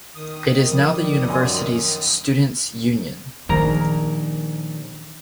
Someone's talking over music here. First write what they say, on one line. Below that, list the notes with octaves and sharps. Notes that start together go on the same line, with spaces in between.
It is now the university's Students' Union.
D#3 D#6
F3 G3
F#2 G#5 C6
A#1 D#3 A#4 A#5